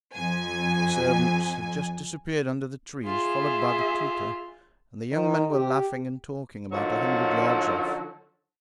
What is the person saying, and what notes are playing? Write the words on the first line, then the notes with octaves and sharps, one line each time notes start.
The servants had just disappeared under the trees, followed by the tutor, and the young men were laughing and talking about a hundred yards off.
F2 G#5
F4 G#4 E5
D#3
G4
D3 D#3 F3 F#3 C#4